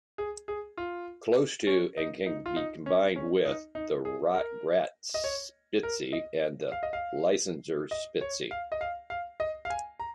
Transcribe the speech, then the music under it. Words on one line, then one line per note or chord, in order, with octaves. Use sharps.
Close to, and can be combined with, the Rotgratspitze and Lisenser Spitze.
G#4
G#4
F4
C#4
D#4
D#4
F4
D#4
C#4
C#4
D#4
D#4
G#4
A#4
D#5
C#5
A#4
D#5
F5
D#5
F5
D#5
C#5
F5
D#5
F5
F5
D#5
F5
G#5
A#5